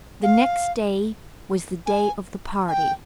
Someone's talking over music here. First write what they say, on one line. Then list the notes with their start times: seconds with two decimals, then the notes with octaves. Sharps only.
The next day was the day of the party.
0.23 F5
1.86 G#5
2.68 G#5
2.72 G5